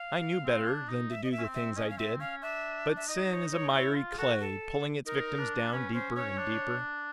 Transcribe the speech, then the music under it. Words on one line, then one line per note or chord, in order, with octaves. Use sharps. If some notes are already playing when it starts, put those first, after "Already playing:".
I knew better than to do the things I did, but sin is a miry clay pulling its victims down deeper and deeper.
Already playing: F5
C4
D4
D#4
E5
D#5
E5
C#4
C4
E5
C#4 D#5
F5
C4 E5
C#4 F5
D4 E5
E5
D#4 D#5
C#5
C#5
E4 C#5
F4
G#4
F#4 A4
A4
D#4 A#4
D4
C#4 B4
C#4 C5
C#4 C#5
D4